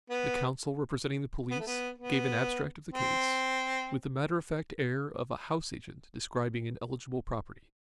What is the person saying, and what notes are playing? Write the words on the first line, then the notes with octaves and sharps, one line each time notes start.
The counsel representing the police gave an abstract of the case with the matter-of-fact air of a house-agent describing an eligible property.
B3
B3
A3
B3
B3
C4